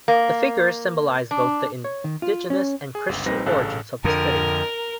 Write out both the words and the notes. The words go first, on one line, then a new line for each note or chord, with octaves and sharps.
The figures symbolize both the indigenous and Christian origins of this city.
A#3
D4
C#5
D#3
F4
C#4
G#4
G1 C#2
A#1 G3 C4 D#4 B4 A#6
A1 G2 C#3 A4 F5 F#6
F2 D3 A#4